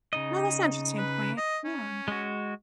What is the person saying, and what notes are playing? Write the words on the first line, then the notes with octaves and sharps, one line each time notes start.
Now that's an interesting point, yeah.
C#3 D#4 D#5
B4
D#5
C#4
G#3 F#4